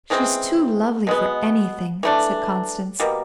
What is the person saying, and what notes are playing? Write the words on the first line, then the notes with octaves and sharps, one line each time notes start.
"She's too lovely for anything!" said Constance.
C#3 E3 G#3 C4
B2 G#3 B3
E3 A3 D4
B2 G3 A#3